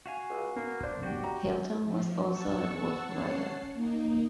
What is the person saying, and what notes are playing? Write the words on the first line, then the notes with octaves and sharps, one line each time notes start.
Hilton was also a golf writer.
F#4 F5 G#5
C#2
A#3 B3
D4 C5
F#4 G4 G5
A#5
F3
F#5 A5 C#6 E6
C#4 C#5 F#5 A5 C7
A#3 D#4